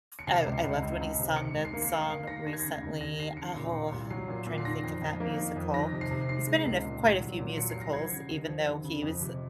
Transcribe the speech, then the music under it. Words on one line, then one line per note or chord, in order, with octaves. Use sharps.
oh, I loved when he sung that song recently, oh, I'm trying to think of that musical. He's been in a f quite a few musicals, even though he was
C#7
C3 C7
C#2
C#2
C#2
C#2
C3
D#3 C#7
G#2
C7
A#3
C7
A#3 C#7
A#3 C7
D#3 A#6
D#2 A#6
G#6
C#3 A#6
D#2
D#2 A#6
D#2 C7
C#3 C#7
A#2
A#2
C2
F#3 C7
A#2
A#2
C7
D#3 A#6
F2
F2
A#3
D#3
F2
D#3 A#6
C3
C7
C3
D#3 C7
G#3
C#2
A#2
C2
F#3
A#2
F#3 C#7
C2 C7
A#6
F3 G#6
C#3
D#2
F3
D#2
C#3
F2
C3